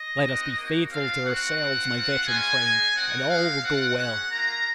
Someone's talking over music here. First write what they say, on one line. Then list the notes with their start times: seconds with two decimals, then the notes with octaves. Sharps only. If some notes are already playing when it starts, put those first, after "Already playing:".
Let us be faithful to ourselves, my veteran friend, and all will go well.
Already playing: D#5
0.24 C4 D#4 F#4
0.57 A#3 D#4 F#4
0.91 C4 F4 F5
1.25 C4 F#4 F#5
1.59 C4 F4
1.93 C4 F4
2.27 G#3 C#4 F4 G#5
2.61 G#3 D#4 F#4
2.95 C4 D#4 F#4 F#5
3.28 G#3 D#4 F#4 F5
3.62 C4 F4 F#5
3.96 G#3 C#4 F#4 F#5
4.30 A#3 F4 A#5